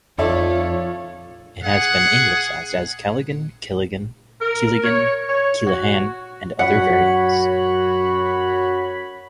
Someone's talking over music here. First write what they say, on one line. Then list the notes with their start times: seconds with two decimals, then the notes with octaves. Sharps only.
It has been anglicised as Callaghan, Kelaghan, Keelaghan, Kealahan and other variants.
0.18 F2 F3 F4 A4 C#5 D5 E5
1.63 G#4 F#5
4.41 A#4
4.83 C#5
5.28 C#5
5.66 F#4
6.59 F#2 F#4 C#5 F#5 B5